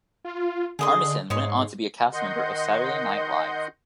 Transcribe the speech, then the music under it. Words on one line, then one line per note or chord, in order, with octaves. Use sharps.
Armisen went on to be a cast member of "Saturday Night Live".
F4
D3 G#4 D#5 C6
G#2 C#5 D#5 C6
D#3 D#5 F#5 C6 G6